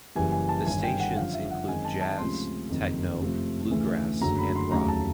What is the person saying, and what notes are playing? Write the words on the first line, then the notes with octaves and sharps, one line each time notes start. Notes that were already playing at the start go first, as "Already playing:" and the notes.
The stations include jazz, techno, bluegrass, and rock.
F#1 F#2 C#3 E3 G3 G#5
G#5
A5
G1 G2 D#3 G#5
G5
F#5
F#2 D3 F3 F5
E5
F#5
F#2 D#3 G#3 C4 D#4 G#5
A5
A5
C#2 C3 F3 A3 C#4 C6
F#1 F2 C3 D#3
F2 C3 F3 A3
D2 C#3 E3 A3 C#4
F#1 F#2 D3 F#3 A3 A#5
B5
C6
F1 D#2 C#3 F#3 A3 A#5
A5